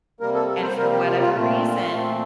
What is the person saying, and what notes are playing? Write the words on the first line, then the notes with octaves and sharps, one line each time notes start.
and for whatever reason,
C3 G3 A#3 A#4
A4
A4
C5
C3 G3 A#3 A#4
G4
F4
F4
A#2 A3 C4
A#2 A3 C4